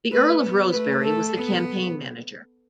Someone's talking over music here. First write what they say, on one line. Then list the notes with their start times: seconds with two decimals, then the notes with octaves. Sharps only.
The Earl of Rosebery was the campaign manager.
0.12 A3 B4
0.43 B3
0.73 A3 B4
1.03 A4
1.34 B3